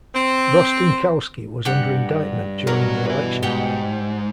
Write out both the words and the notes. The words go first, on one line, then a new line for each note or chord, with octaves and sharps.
Rostenkowski was under indictment during the election.
C4
G2 D4 G4 F#5
B2 F#4 A#4 C#5
B4 E5
G#2 G4 F#5 G5